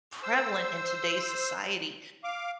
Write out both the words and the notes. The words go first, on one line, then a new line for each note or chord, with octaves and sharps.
prevalent in today's society,
C5 E6
F5 D6